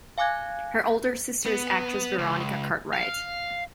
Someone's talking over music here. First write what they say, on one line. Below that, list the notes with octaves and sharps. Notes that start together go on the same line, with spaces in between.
Her older sister is actress Veronica Cartwright.
F5 G#5 D6 F#6 G#6
B3
C#2
F5